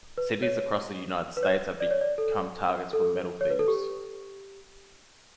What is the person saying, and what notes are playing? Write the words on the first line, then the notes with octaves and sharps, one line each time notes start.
Cities across the United States have become targets for metal thieves.
B4
C#5
B4
C#5
D5
C#5
D5
A4
A4
C#5
B4
A4
G4